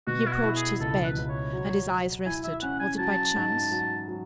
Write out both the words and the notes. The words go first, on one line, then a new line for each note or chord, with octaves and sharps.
He approached his bed, and his eyes rested, was it by chance?
B2 F#4
E4
F#4
E4
G#4
C#2 A4
B4
C#2
C#5
F#3
F#3
E4 G#5
E5
C#4 F#5
G#5
F#3 A5
G#2
F#3
F#3